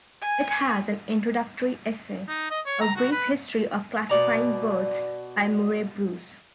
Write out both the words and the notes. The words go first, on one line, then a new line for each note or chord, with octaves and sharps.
It has an introductory essay "A Brief History of Classifying Birds" by Murray Bruce.
G#5
D#4
D#5
C#5
A#5
F#4
B4
B2 D5 A#5